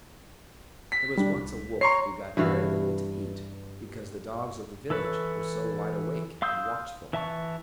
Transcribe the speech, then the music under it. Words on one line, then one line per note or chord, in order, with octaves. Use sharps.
There was once a Wolf who got very little to eat because the Dogs of the village were so wide awake and watchful.
B6
G3 D4
C2
C#5 A#5 C6 C#6 C7
G2 E3 F#4 F5
E3 A4 B4 C#5
F5 C6 D#6 E6 G6
E3 E5 A5 C#6